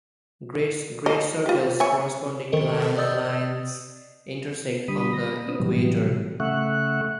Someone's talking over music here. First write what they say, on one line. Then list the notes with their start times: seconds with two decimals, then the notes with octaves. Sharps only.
Great circles corresponding to parallel lines intersect on the equator.
1.06 A#4 D#5
1.46 F4 G4
1.80 C#5 E5 G#5
2.52 D#3 A4 A#4 C5 D#5
2.97 D5 D#5 D#6 E6 G6 A6
4.88 D3 G3 B5 D#6
5.13 A#6
5.48 C4 D4 B4 D#6
5.60 A2 C3 E3 F#3 G3
6.40 C#3 A3 E5 F#5 C#6 F#6